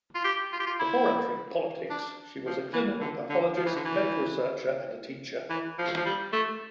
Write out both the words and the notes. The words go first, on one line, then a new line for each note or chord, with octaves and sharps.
Before entering politics she was a clinical pathologist, medical researcher and teacher.
F4
G4
F4
G4
F4
E4
D4
F3
E3
D3
D3
F3
E3
D3
E3
E3
F3
F3
G3
A3